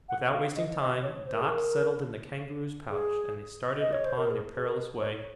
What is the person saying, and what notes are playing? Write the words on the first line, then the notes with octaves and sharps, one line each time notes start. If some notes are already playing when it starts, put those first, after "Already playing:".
Without wasting time, Dot settled in the Kangaroo's pouch, and they started upon their perilous way.
F#5
F5
D#5
D#5
C#5
C5
A#4
G#4
A#4
G#4
D#5
C#5
C5
A#4
G#4
G#4
A#4
C#5
C#5